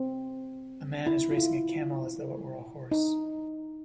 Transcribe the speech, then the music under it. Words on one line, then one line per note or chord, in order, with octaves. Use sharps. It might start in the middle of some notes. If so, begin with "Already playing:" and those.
A man is racing a camel as though it were a horse.
Already playing: C4
E4
F4
E4
D#4